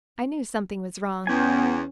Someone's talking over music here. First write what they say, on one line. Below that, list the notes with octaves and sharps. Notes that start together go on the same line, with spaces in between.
I knew something was wrong.
E2 B3 C#4 G5 G#5